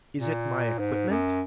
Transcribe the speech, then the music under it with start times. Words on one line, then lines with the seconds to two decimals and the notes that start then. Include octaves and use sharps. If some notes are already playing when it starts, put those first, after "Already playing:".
"Is it my equipment?"
0.18 A#2
0.79 G#2
1.09 F#2